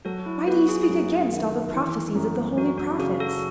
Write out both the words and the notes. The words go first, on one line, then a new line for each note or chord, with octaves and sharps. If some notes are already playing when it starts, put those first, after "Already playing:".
Why do ye speak against all the prophecies of the holy prophets?
F#3 F#4 A4
E4
B3 F#4
G#4
F#4
G#4
F#2
D#3
E3
F#2
F#2 F#4
F#4
C#3 F#4
F#4 A4